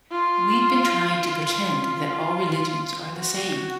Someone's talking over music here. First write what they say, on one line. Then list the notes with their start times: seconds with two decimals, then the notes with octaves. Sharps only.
We've been trying to pretend that all religions are the same.
0.11 F4
1.63 F4
3.14 F#4